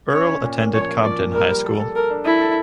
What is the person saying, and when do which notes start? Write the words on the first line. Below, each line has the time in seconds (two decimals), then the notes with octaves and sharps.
Earle attended Cobden High School.
0.13 C#4 C#5
0.28 C#4
0.43 A#2
0.58 A#3
0.73 F3 C#5
0.89 A#3
1.04 F3 D5
1.19 A#3
1.34 G3 A#4
1.50 G3
1.64 A4
1.80 A4
1.95 A4 A#4
2.10 D4
2.26 E4 A4
2.41 A4